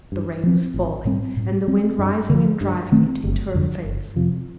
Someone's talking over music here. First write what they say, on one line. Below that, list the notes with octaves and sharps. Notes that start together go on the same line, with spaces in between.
The rain was falling and the wind rising and driving it into her face.
G2
F3 C4
A1
A2 G3 C4
A2
G3 C4
G2
D3 F3
G2
D#3 A3 C4
G1
F2 D3 G3
G1
F2 C3 F3